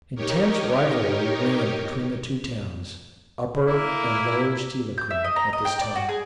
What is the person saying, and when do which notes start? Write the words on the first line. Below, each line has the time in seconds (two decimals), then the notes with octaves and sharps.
Intense rivalry ran between the two towns, upper and lower Steilacoom, at this time.
0.15 D#4 G4 A#4 C#5
3.67 A#3 E4
4.98 G6
5.10 E5
5.24 D#5
5.36 A#5
5.53 D#5
5.65 G5
5.81 D5
5.96 F#4
6.09 G#4